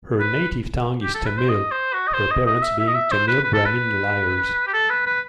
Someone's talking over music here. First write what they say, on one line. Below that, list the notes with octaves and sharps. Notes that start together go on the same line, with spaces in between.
Her native tongue is Tamil, her parents being Tamil Brahmin Iyers.
B4
G4
A4
B4
C5
D#5
C5
F#4
D#5
C5
D#5
D#5
E5
E5
D#5
E5
C5
B4
B4
A4
B4
G4
A4
B4
B4